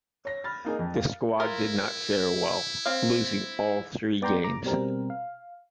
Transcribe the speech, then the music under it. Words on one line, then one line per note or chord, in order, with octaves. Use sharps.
The squad did not fare well, losing all three games.
C#5 A#6
B5 F6 A6
A#3 D#4 G#4
F2
F5
E4 F4 A#4
C4 F5
B3 D5 G5 A#5 C6 G6
A#5 D6
B2 G3 C4 A#4
F5